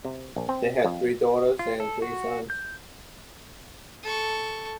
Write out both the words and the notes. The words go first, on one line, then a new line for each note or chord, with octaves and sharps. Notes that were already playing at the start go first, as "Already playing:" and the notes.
They had three daughters and three sons.
C3
A#1
C4
F2
F4
A4
F#4
G6
A4 C#6